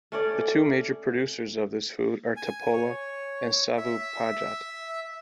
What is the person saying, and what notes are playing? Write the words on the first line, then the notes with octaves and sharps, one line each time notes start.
The two major producers of this food are Tapola and Savupojat.
A3 C#4 D5
G#5
C#5
E5